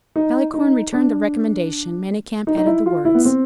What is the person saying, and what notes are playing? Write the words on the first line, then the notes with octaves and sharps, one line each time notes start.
Malicorne returned the recommendation; Manicamp added the words.
D#4
D#4
D4
D#4
D#4
E4
F4
E4
B3
C4